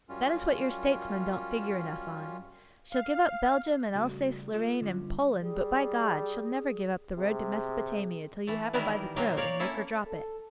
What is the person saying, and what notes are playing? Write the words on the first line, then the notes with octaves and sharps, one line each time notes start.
That is what your statesmen don't figure enough on. She'll give up Belgium and Alsace-Lorraine and Poland, but by God! she'll never give up the road to Mesopotamia till you have her by the throat and make her drop it.
F#2 G3 C#4 F4
F5
C#3 G3 A3 F#4
A3 F4 A4 D#5
D3 G3 C#4
G3 G#4
C3 G#4
E3 A3
D#3 E3 G3 B3 E4 A#4
B2 F#3 A#3 C4
A#4 C#5 D5 F5
A#3 C#4 E4 A4
A4